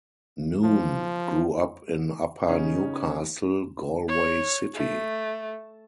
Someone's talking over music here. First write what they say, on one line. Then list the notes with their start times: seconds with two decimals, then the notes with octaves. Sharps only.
Noone grew up in Upper Newcastle, Galway City.
0.64 F3
2.48 C#3 C#4 D#4
4.08 C#5
4.74 A3